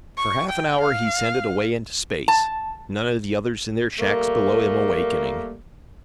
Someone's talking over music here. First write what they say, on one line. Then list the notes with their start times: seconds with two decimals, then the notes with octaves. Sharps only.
For half an hour he sent it away into space, none of the others in their shacks below him, awakening.
0.17 C#6
0.49 G5
0.80 F5
2.28 A5
3.99 G3 A3 A#3